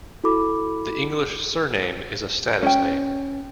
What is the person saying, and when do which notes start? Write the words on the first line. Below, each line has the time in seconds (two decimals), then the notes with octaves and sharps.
The English surname is a status name.
0.24 E4 F#4 A4 B5 D6
2.63 C#4 G5